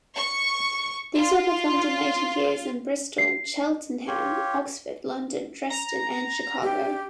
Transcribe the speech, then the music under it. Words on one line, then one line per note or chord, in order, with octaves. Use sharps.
These were performed in later years in Bristol, Cheltenham, Oxford, London, Dresden and Chicago.
C#6
F4
C7
F4 G4 C#5
A#5
G4